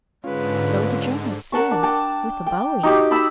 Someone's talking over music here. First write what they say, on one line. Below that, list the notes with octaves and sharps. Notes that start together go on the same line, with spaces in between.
"So the journals said; with a bowie!"
G#2 D3 G#3 C#4 F4 B4
A#4 F#5 A5 C#6
D4
G5 A5
G5
D#4 F#4 G4
D#4 A5 B5 E6